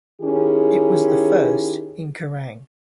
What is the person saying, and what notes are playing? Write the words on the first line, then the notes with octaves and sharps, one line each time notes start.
It was the first in Kerrang!
D#3 C#4 E4 G4 G#4